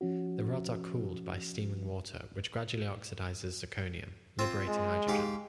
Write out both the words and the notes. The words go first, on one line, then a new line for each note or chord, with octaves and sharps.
The rods are cooled by streaming water which gradually oxidizes zirconium, liberating hydrogen.
F3 C#4 F#4
C4 F4 C5
G#3
G#2 G4 F5